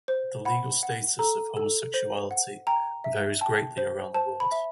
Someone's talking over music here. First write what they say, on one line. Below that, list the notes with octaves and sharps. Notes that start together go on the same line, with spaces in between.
The legal status of homosexuality varies greatly around the world.
C5
F#5 B5
F#5
A4 A#5
A4
C5
F#5
G5 A#5
E5
G5 A5
C5
C5 A5
B5
E5